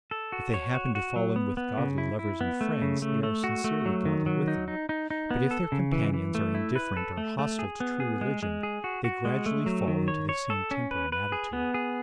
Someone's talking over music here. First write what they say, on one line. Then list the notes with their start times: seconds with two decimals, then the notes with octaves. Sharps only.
If they happen to fall in with godly lovers and friends, they are sincerely godly with them; but if their companions are indifferent or hostile to true religion, they gradually fall into the same temper and attitude.
0.11 A4
0.32 F#4
0.54 C#5
0.74 F#4
0.95 F#4
1.16 F#3
1.36 B3
1.57 B3
1.78 C#3
1.98 E4
2.19 E4
2.41 B3
2.61 A3
2.82 C#3
3.02 A3
3.23 A3
3.44 F#4
3.64 A3
3.86 F#3
4.05 D#3
4.26 F#3
4.48 D#4
4.68 D#4
4.89 D#4
5.10 D#4
5.31 B3
5.51 A4
5.72 C#3
5.92 E3
6.14 E3
6.35 A3
6.55 E4
6.76 B4
6.97 A4
7.17 A3
7.39 A3
7.59 G#4
7.80 B3
8.00 G#4
8.21 G#3
8.43 G#3
8.63 G#4
8.84 F#4
9.04 F#4
9.25 G#3
9.46 A3
9.66 F#3
9.87 D#3
10.08 C#5
10.29 C#5
10.50 A4
10.71 C#4
10.91 B4
11.12 B4
11.32 G#4
11.53 B3
11.74 G#4